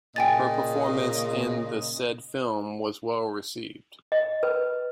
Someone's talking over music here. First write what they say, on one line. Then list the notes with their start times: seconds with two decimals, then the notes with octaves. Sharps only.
Her performance in the said film was well received.
0.16 A#2 C#3 D#5 G5 G#5 A6
4.12 D#5
4.43 B4